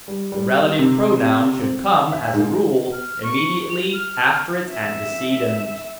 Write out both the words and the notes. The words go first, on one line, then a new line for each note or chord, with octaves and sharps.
The relative pronoun should come, as a rule, immediately after its antecedent.
G3
G3
C3
C4
E5
G#2
F6
C#6
F7
F6
E5